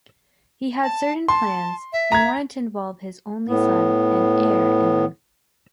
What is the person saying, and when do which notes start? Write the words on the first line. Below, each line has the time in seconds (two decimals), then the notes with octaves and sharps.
He had certain plans and wanted to involve his only son and heir in them.
0.83 A5
1.28 A5 C6
1.93 E5
2.12 A#5 G#6
3.48 A2 B3